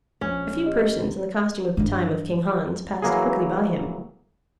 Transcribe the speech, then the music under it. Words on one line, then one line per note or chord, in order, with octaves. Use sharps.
A few persons in the costume of the time of King Hans passed quickly by him.
A#1 C#4
G4 D#5
G2 E3
E3 F#3 A#3 G#4